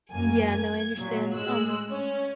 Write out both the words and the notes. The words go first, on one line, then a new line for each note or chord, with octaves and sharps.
Yeah, no, I understand. Um,
F#2 A#3 G#5
G#6
A#2 F#3
A2 G#3 E6 F#6
C#4